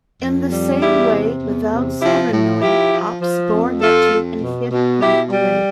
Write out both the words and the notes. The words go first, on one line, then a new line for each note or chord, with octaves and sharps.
In the same way without Saturn knowing, Ops bore Neptune and hid him away.
F2
G3
E2 E4 G4
C3
E2
C3
F3 E4 G4
A2
F3 E4 G4
F3
F3
F2
F2 F4 A4
F2
B2
B2
B2 E4 G4
G3